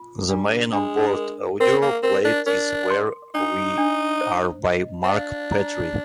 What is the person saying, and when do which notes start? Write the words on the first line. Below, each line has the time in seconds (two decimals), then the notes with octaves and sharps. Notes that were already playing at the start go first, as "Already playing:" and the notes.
The main onboard audio played is Where We Are by Mark Petrie.
Already playing: F4
0.29 G3 D4
0.73 G#3 D4
1.16 A#4
1.60 C4 A#4
1.82 A#3
2.03 C4 A#4
2.25 D4
2.47 D4 A#4
2.90 C6
3.34 D4 D#4
3.78 D4
4.21 C5
4.65 D#5
5.03 C4
5.09 D4 F5
5.52 A#5